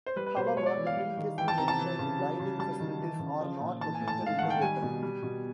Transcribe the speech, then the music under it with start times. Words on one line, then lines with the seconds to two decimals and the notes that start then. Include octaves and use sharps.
However, the previously mentioned dining facilities are not located in the hotel.
0.06 C5
0.16 G3 B4
0.26 B4
0.36 B2 C5
0.47 C5
0.57 G#3 C#5
0.66 D5
0.77 E3
0.87 F5
0.97 G3
1.17 D#3
1.38 E3 G5
1.48 A5
1.58 C3 A#5
1.68 A5
1.79 E3
1.99 C#3
2.18 F#3
2.40 C#3
2.59 G3 A5
2.80 D#3
3.00 E3
3.19 C#3
3.41 F3
3.60 A#2
3.81 E3 A5
3.95 G#5
4.01 A2
4.08 A5
4.21 G#3
4.26 F5
4.39 D#3 F#5
4.50 G5
4.62 G3 G#5
4.82 B2
5.02 G3
5.23 B2